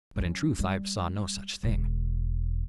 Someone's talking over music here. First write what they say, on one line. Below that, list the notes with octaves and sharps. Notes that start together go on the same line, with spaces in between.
But in truth I saw no such thing.
F#3 C#4
G3
E1